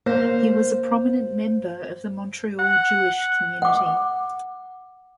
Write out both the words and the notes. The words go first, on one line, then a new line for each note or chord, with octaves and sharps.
He was a prominent member of the Montreal Jewish community.
A#3 C5 F5
F#5
F#5 D6